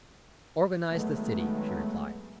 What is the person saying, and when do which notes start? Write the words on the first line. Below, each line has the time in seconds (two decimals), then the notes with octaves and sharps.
"Organize the city," she replied.
0.90 D#3 F#3 G#3 A3 B3